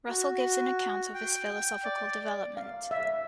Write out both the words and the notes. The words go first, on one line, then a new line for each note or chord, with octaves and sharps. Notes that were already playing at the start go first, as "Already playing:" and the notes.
Russell gives an account of his philosophical development.
F#4
G5
D5
F5
E5